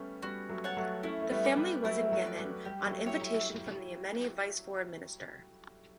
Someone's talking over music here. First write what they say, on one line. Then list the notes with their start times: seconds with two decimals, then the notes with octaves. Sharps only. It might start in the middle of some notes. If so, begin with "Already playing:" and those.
The family was in Yemen on invitation from the Yemeni vice foreign-minister.
Already playing: G3 A3 B3 C#4
0.22 G3 B3 F#4
0.49 F#3 A3
0.64 C#5 F#5 A5
0.77 F#3 A3
1.03 A3 C#4 E4
1.22 A3
1.31 G3 B3
1.45 A3 B4 D5
1.57 G3
1.84 F#3 A3 E4
2.12 F#3 A3
2.26 B4 D5
2.39 F#3
2.65 G3 G4
2.86 F#3 A3
3.06 E4 G4 C#5 E5